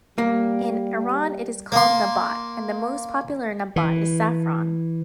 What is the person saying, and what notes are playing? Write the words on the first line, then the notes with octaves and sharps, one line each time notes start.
In Iran it is called nabat, and the most popular nabat is saffron.
G3 A#3
A#3 C6
E3